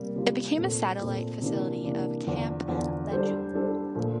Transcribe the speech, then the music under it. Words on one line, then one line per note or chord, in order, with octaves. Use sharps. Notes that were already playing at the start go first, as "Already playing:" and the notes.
It became a satellite facility of Camp Lejeune.
Already playing: C3 G3 A#3 A#4
C3 G3 A#3 F4 A#4
A#2 A3 C4
A#2 A3 C4
C3 E3 A#3 D4
C3 E3 A#3 D4
E2 D3 F3
E2 D3 F3
G3 D4 A4 C5
G3 D4 A4 C5
A#2 F3 A3